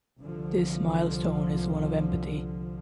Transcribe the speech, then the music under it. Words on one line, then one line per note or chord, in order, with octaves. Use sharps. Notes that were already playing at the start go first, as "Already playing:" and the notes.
This milestone is one of empathy.
C2 D3 F3